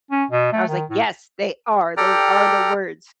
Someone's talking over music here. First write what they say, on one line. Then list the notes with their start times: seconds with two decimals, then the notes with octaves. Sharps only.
And I was like, "Yes, they are, those are the words."
0.11 C#4
0.31 B2
0.53 A3
0.69 D#3
0.90 A2
1.97 G4 A4 D5 G5 A#5 F6